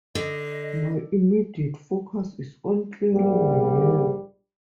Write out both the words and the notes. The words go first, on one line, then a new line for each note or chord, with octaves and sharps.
My immediate focus is on clearing my name.
D3 D#5
A#1 G#2 G3